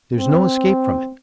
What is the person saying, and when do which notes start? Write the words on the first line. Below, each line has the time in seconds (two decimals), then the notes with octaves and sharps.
There's no escape from it.
0.18 C4